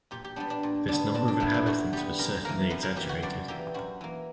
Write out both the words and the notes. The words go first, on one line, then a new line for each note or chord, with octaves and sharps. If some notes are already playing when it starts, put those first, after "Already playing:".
This number of inhabitants was certainly exaggerated.
A#2 G4
G4
G3 B3 D4
D4
A#2
G3 B3 D4
A#2 D4
D4
G3 B3 E4
E4
A#2 F#4
G3 B3 G4
F#2 A#4
E3 A#3 A#4
F#2 B4
A#4
E3 A#3 G4
F#4
F#2 D5
E3 A#3 G4
F#2 F#4
E3 A#3